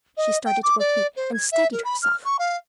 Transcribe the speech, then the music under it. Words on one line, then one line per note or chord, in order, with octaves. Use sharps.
She started to her feet, and steadied herself!
D#5
G5
D6
D5
C5
G#6
E5
A#4
B5
F6
C#6
F5